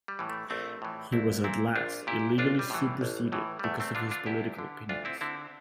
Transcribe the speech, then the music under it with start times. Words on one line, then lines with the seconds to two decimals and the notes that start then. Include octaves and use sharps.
He was at last illegally superseded, because of his political opinions.
0.08 G3
0.19 A2 E3
0.29 A3
0.50 A#1 A3 C4
0.82 A2 E3
1.12 A#1 C4 E4
1.44 A#2 C4 E4
1.75 A#1 D4 F4
2.07 A#2 E4 G4
2.38 A1 D4 F4
2.59 G3
2.70 A2 E3
3.01 A1
3.32 A2 E3
3.59 G3
3.64 E2 A3
3.80 A3 C4
3.95 D3 D4 F4
4.11 D4 F4
4.26 E2 E4 G4
4.59 D3
4.89 D2 D4 F4
5.05 C4 E4
5.21 D3 C4 E4